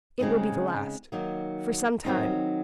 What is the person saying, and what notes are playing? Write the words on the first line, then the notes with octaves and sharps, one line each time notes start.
"It will be the last--for some time."
C#3 G#3 C4 D#4
D#3 F#3 A#3 D#4
D#3 F#3 C4 D#4